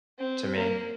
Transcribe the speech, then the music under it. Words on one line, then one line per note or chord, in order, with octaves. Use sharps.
to me.
C4
A#3